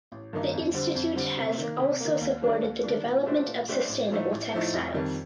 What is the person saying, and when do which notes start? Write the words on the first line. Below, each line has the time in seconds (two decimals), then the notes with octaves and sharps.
The institute has also supported the development of sustainable textiles.
0.12 A1
0.33 G2 D#3 A#3 D#4
0.53 F2
0.74 D3 G3 C4
0.95 F2
1.16 D3 G3 C4
1.37 C3
1.58 D#3 A#3
1.79 C3
2.00 A#3
2.05 D#3
2.21 D#2
2.42 D#3 G3 D4
2.63 D#2
2.84 D#3 G3 D4
3.05 A#2
3.26 A3 D4 G4 C5
3.46 A#2
3.68 A3 D4 G4 C5
3.89 A1
4.10 A2 F3 A3 D#4
4.32 A1
4.53 A2 F3 A3 D#4
4.73 F1
4.94 F2 D#3 G3